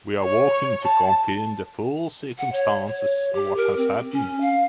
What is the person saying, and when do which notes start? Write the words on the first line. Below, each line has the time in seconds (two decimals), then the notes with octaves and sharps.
We are working to confirm the full circumstances of what has happened.
0.23 C#5
0.84 A5
2.38 F#5
2.52 C#5
2.87 C#5
3.33 G4
3.57 A#4
3.77 C4
4.12 C#4
4.41 F5